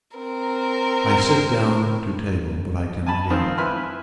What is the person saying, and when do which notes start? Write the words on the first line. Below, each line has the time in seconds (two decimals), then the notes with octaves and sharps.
I sit down to table; but I cannot eat.
0.17 C4 A#4
3.06 G#5 A5 B5
3.30 D#3 F3 C4 F4
3.57 E4 B4 G#5 B5 C6 F6